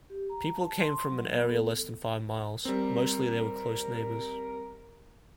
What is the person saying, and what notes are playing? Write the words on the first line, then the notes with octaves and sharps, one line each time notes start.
People came from an area less than five miles; mostly they were close neighbors.
G4
A#5
A5
C6
F#3
B3
A4
G3 C4 A#4